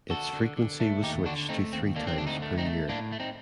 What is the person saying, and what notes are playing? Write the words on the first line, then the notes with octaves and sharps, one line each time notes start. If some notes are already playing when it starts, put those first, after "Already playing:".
Its frequency was switched to three times per year.
D3 F#4 A4
D3
D3
A3
D#2 D#4 G4
D3 D4 F#4
A3 C4 D#4
D#2 C4
D3 A#3 D4
C4
D2 D4
C4 D#4
A3
C4 D#4
A3
A2 A#3 D4
A3
C4 D#4